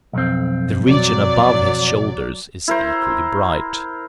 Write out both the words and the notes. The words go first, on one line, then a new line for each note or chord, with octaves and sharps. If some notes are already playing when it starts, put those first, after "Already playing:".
The region above his shoulders is equally bright.
B1 F2 C4
F#3 D5
E4 A#4 C5